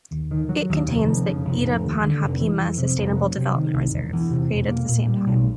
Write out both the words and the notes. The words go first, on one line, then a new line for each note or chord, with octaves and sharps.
It contains the Itapanhapima Sustainable Development Reserve, created at the same time.
D#2
D#3
F#3
D#2
F1
F2
C#3
F1
F1
D#2
D3
F1
E3
F2
C3
F1
F#3
C3
D#3
C2
E1
E2
C3
E1
A#3
A#2
G3
B1